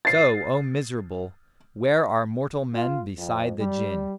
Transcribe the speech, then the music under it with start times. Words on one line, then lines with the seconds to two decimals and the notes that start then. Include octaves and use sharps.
So, O miserable! where are mortal men beside the Jinn?
0.05 A6 C7
2.74 F4
3.16 F2
3.58 G3